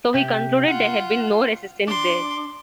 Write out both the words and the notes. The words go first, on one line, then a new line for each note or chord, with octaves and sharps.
So he concluded there had been no resistance there.
C3 G4
F4 F#5
D4 C6 D6